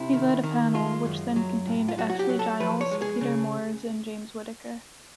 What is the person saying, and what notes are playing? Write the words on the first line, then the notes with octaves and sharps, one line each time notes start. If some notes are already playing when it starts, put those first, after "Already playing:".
He led a panel, which then contained Ashley Giles, Peter Moores and James Whitaker.
Already playing: C3 E4
D#3
D#3
G#3 F4
F#2
F#3
A2
F4
F#3 F#4
F#4
G4
F#3
A4
F3 B4
C#5
G#3
G#4
C#3